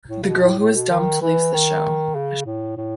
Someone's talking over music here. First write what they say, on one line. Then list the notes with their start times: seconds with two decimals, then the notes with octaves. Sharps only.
The girl who is dumped leaves the show.
0.08 A2
0.23 C#3
0.29 B2
0.44 A2
0.59 A2
0.75 B2
0.90 D#3
1.22 E3
1.53 D#3
2.15 C#3
2.46 A2
2.77 A2